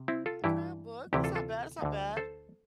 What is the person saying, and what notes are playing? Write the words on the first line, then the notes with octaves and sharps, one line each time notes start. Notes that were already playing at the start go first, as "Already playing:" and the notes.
Okay, a book, that's not bad, that's not bad.
Already playing: C3
C4 E4
F4 A4
G2 E3 E4 G4
D2 C3 E3 E4 G4
F4 A4
F4 A4
D2 D3
A4 C5